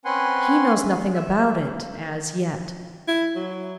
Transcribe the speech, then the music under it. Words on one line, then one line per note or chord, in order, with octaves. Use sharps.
"He knows nothing about it,--as yet."
C4 C#4 B4 F#5 G#5 C6
E5
E4
F#3